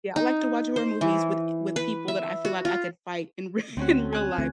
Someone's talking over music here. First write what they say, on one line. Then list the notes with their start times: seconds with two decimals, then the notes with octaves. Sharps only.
Yeah, I like to watch horror movies with with people that I feel like I could fight in rea in real life.
0.16 D#4
0.76 C5
1.01 E3
1.76 B4
2.08 E5
2.45 F#4
2.65 F4
3.77 D2 C4 C#4 F#4
4.13 G#5 F#6
4.38 D2 A3 C4